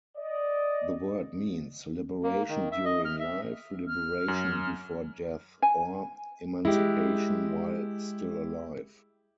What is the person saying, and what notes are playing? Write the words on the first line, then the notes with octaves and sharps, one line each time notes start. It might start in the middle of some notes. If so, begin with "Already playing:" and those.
The word means, "liberation during life, liberation before death", or "emancipation while still alive".
D5 D#5
A#3
D#3
E5
D#5
F6
E5
F6
F#2
G#5
G#3 E4 G4